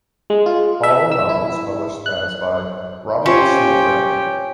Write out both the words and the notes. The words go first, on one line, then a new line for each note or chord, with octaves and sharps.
All are novels published as by Robert C. O'Brien.
G#3
F4
E5
E6
E4
F#6
C#4 F4 G4 C5 C#5 G5